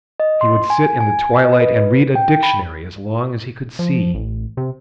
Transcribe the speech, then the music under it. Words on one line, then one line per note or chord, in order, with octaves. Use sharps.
He would sit in the twilight and read a dictionary as long as he could see.
D#5
C6
G#5
G#5
D#5
B4
G5
B5
F3
A1
C3